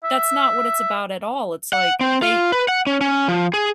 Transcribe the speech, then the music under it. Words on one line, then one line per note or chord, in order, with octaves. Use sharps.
that's not what it's about at all, it's, like, they
E5
F#5
C4
F4
B4
F#5
C#4
C#4
F3
G#4